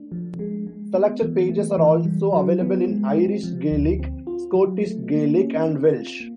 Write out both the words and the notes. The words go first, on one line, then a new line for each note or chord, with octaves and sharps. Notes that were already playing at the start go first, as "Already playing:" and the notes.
Selected pages are also available in Irish Gaelic, Scottish Gaelic and Welsh.
Already playing: A3 D4
F3
G#3
G#3
B3
E3
A3
E3
G3
F#3
B3
G#3
C4
F3
D2
C4
F4
F#3
A3
A#3
C#4
C4
F4
A#3